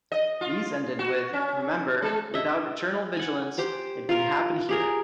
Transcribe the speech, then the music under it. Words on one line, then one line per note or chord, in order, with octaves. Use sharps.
These ended with Remember: without eternal vigilance, it can happen here.
D#5
F4
F#4
C#4
G#3
D#5 E5
F#5 G#5
G4 C5 G5
F4 A#4
G4 G#4 A#4